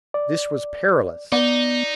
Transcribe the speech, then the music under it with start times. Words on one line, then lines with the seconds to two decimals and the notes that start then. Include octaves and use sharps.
This was perilous.
0.14 D5
1.32 B3 D#4 D5